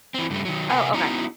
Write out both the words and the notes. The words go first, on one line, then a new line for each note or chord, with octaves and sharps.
Oh, okay.
E3 C4
G2 C#3 G3 A3
D#3 F#3
C3 A#4 F#5 G#5
B3 C#4 D#4 E4 F#4 A#5